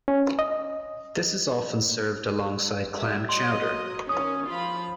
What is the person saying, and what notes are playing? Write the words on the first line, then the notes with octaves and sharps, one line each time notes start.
This is often served alongside clam chowder.
C#4
D#5
G3 E5
F#3 D#5 C6
D#3 C#4 D#6
F3 F4 B5